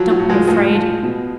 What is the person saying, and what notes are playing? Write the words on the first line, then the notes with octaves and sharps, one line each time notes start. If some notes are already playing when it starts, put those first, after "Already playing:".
'Don't be afraid.
Already playing: F3 F#3
F#3
A2
F3 G#3
A2 F3 G#3
F3
B2